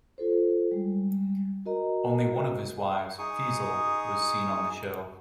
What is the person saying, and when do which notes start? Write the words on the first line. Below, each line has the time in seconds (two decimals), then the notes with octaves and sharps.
Only one of his wives, Feezal, was seen on the show.
0.18 F4 A4 C5
0.71 G3 G#3
1.66 F#4 A#4 D#5 A#5
3.18 D#4 G#4 C#6 D#6